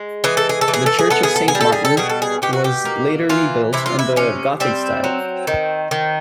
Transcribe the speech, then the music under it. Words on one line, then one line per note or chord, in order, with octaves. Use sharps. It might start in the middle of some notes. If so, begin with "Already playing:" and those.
The church of Saint Martin was later rebuilt in the gothic style.
Already playing: G#3
E3 G#4
A4
G#4
A4
E3
G#4
A4
G#4
B3 A4
G#4
A4
G#4
G3
A4
G#4
A4
B2 G#4
A4
G#4
B2 G4
F#4
G4
A#3
E3 F4
C3 E4
F4
E4
C3 C#4
G3 C4
F#3
D#3
D#3